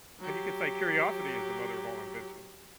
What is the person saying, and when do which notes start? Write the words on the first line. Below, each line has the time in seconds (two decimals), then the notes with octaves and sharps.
And you can say curiosity is the mother of all invention.
0.20 F#3 G4